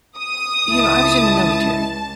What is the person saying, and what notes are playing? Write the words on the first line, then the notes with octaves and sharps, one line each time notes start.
you know, I was in the military
D#6
C#2 E4 A5